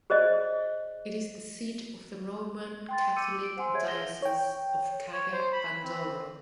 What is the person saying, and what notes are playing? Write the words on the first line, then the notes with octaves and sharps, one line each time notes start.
It is the seat of the Roman Catholic Diocese of Kaga-Bandoro.
G#4 C5 D5 D#5
G5 C6 A6
D6 E6 G6 C#7 D#7
D7
C5 F#5 G#5 C6 E6
G#4 C#5 E5 G#6
A#6 G7
C#5 G5
C#5
C5
B5
C4